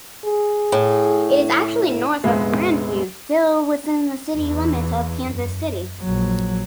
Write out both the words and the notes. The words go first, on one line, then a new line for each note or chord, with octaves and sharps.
It is actually north of Grandview, still within the city limits of Kansas City.
G#4
A2
F1 A#1 G#3 B3 E5
E2 E3
F#2
A#1 F#3